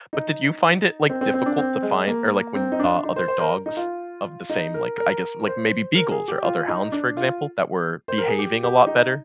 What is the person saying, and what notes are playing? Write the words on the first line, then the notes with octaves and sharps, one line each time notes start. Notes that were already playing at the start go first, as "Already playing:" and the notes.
but did you find it like difficult to find or like when, uh, other dogs of the same like I guess like maybe beagles or other hounds, for example, that were behaving a lot better?
D#4
C4
C4
C4
D4
C4
G#3
A#3
C4
D#4
D4
D#4
C5
C5
A#4
D#4
F4
D#4
A#4
A#4
C5
A#4
G#4
G4
F4
D#4
D4
F4
C5
A#4
G#4
G4
G4
D#4